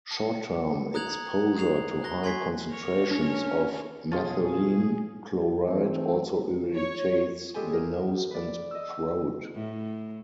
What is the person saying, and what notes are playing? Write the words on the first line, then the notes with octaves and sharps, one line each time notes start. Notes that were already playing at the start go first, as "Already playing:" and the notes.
Short-term exposure to high concentrations of methylene chloride also irritates the nose and throat.
A5 C#7
A#5 D#6 F#6 G#6 F7 F#7
D#6 C7 F7
F#6 A#6 G7
G#5 C6 C#6 G#6 B6 C7
A#4 C#5
C#4 D4
B2 C#4 F4 G#4 A5
E3 A3 C4
C#5
G#3 B3 G4 A4 C5 G#5
G#4 A#4
B4 D5
D#5 E6
A2